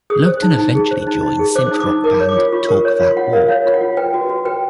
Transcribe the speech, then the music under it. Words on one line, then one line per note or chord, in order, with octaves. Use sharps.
Lugton eventually joined synth rock band Talk That Walk.
G#4 D#6
C5
D#4
D#4
G#4
C5
D#4
D#4
G#4
C5 D6
D#4 D#6
D6
D#4
A#4 D6
C#5
D6
F4
F4 C#6
A#4
C#5
F4 C6
F4 F#5
A#4 F5
C#5 F5
F4
F#5
F4
B4 G5
F#4
F#4
B4 G5